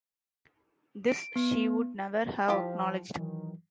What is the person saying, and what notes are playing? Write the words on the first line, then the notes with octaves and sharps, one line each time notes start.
This she would never have acknowledged.
D7
B3
F3 E4 F4 G4
D#3 E3 F#3